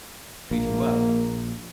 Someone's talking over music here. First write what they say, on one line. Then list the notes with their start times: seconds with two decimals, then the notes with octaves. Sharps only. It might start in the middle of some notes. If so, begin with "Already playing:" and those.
Treat him well!
0.51 A#1 A#3